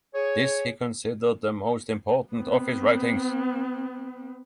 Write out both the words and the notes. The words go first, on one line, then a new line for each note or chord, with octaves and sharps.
This he considered the most important of his writings.
G#4 C#5
B3 C4